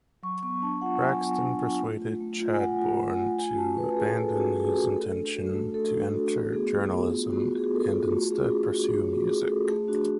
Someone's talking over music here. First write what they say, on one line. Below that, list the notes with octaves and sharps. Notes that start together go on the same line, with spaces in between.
Braxton persuaded Chadbourne to abandon his intention to enter journalism and instead pursue music.
F#3 C#6
B3 C#6
D4 A5
F4 F#5
F#3 G#5
B3
D4
F4
A3
F4
A3
F4
G#5
A3 F#5
F4
A3
F4
A3 G#5
C#4 A5
F#4 B4
A3 G#4
A3 A4
C#4 F#4
F#4 G#4
A3 F#4
A3 A4
D4
F#4
A3
A3 A4
D4
F#4
A3
B3 G#4
F4
B3
F4
B3 F#4
F4 F#4
G#4
B3 A4
G#4
F4
A3 F#4
C#4 G#4
F4 G#4
A3 F#4
A3 G#4
C#4 F#4
F4 G#4
A3 A4
A3 G#4
D4 F#4